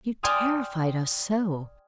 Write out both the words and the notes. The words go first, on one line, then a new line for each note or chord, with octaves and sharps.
You terrified us so.
D5 G5 G#5 C6 D#6 F6